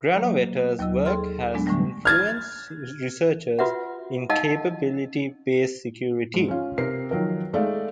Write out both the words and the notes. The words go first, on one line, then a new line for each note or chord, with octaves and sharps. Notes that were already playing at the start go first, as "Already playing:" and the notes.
Granovetter's work has influenced researchers in capability-based security.
F#3 A#3
D#2 F#3 D#5 E6
G#4 A4 G5 C6 F6
F#3 G#3 B3 D4
A2 D3 E3 F#3 G3 A3
F6 G#6 A6
F4 F#4 B4 E5 F#5
D#4 D#5 F5 F#5 A5 E6
G#2
C#4 F4
C3 C4 A#4 C7
D#3 F3 F#3 A#4
G#3 A3 D#4 D5 F5